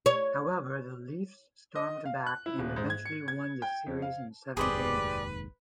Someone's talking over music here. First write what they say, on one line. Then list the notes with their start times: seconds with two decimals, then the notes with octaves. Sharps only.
However the Leafs stormed back and eventually won the series in seven games.
0.06 C#5
1.76 D#5
2.05 F5
2.27 F#6
2.46 E4
2.59 D#1
2.76 G#2
2.90 G#6
3.06 C#7
3.28 G#6
3.62 G5
3.86 F2
4.02 F5
4.57 F1 D#2 G#2 G4 G#4 B4 C5 D5